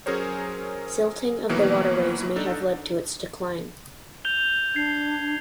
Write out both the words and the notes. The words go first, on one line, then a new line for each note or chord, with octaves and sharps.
Silting of the waterways may have led to its decline.
F#3 C#4 G#4 A#4 C5 C#5
B2 D#3 E3 F#3 A#3 B3
D4 D#4 A4
G6 F7 G7
D4 G#6 C7